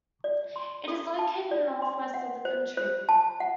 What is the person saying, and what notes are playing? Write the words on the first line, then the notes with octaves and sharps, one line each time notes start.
It is located in the northwest of the country.
D5
C6
A4
A5
D5
C6
F#5
C5
C5
A5
F#5